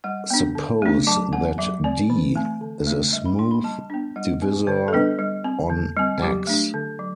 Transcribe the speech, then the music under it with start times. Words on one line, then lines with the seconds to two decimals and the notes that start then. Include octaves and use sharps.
Suppose that "D" is a smooth divisor on "X".
0.04 G3 F#5
0.30 B3 D4
0.55 D3
0.82 A3 D4
1.07 F#3 A5
1.33 C4 F#5
1.58 F#3 E5
1.84 C4 D5
2.10 E3
2.35 A3 C4
2.61 D3
2.87 A3 D4
3.13 G3 E5
3.25 B5
3.38 D4 C6
3.51 B5
3.64 G3 A5
3.90 B3 D4
4.16 G3 F#5
4.42 C4
4.67 D3 C5
4.88 A4
4.93 G3 B3 D4 B4
5.19 G3
5.44 C4
5.70 D3
5.97 G3 C4
6.22 F#3 G4
6.47 A3 D4
6.74 D3
6.99 F#3